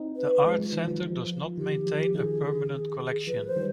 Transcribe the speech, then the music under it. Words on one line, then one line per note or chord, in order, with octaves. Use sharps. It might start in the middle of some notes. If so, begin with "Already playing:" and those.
The Art Center does not maintain a permanent collection.
Already playing: C4 D#4
B4
F3 G#3
F3
D#3
F3
F3
D#3 G4
F3
D#3 G#4
F3 B4
C5
D#3 G3